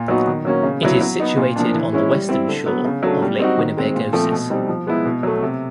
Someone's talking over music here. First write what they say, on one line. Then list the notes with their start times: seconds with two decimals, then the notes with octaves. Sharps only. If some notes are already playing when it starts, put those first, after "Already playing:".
It is situated on the western shore of Lake Winnipegosis.
Already playing: A#2
0.08 F#3 B3 D#4 F#4
0.27 D#3
0.45 F#3 A#3 C#4 F#4
0.63 C#3
0.82 F#3 B3 E4
1.01 F#3
1.20 B3 D#4
1.37 A#2
1.56 F3 A#3 D4
1.74 E3
1.92 G#3 C#4 E4
2.12 G3
2.29 C4 E4
2.48 D3
2.66 F#3 B3
2.85 C#3
3.03 F#3 A3 D4
3.22 G3
3.39 C4 D#4 F#4
3.59 D#3
3.77 G#3 C4
3.95 A#2
4.13 F3 A3 C4
4.32 B2
4.50 G3 C4 D#4
4.68 F3
4.87 G#3 B3 E4
5.05 B2
5.23 F#3 A3
5.43 C3